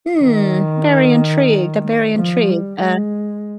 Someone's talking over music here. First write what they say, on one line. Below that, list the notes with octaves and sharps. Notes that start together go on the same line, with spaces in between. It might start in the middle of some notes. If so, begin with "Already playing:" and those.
Hmm, very intrigued, I'm very intrigued, uh
D#3
F3
G3
G#3